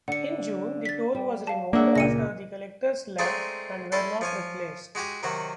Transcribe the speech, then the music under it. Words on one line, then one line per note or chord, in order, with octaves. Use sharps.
In June, the toll was removed after the collectors left and were not replaced.
D3 F#5 C#7
A6 B6
G3
F5 A5
A#3 D4 G#4 C#5 E5 F#5
C#2 A#2 A#6 C#7 D#7
G#3 A3 C4 D4 D#4 G#4
C#4 E4 A4 C6
F3 C#5 G#5
G#3 F#4 G4 G#5
C3 D#3 F#3 F#4